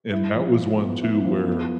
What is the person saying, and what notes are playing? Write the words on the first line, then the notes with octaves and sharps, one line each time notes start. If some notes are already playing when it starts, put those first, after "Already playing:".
And that was one too where
E4
F3
F3
B3
E4
F3
B3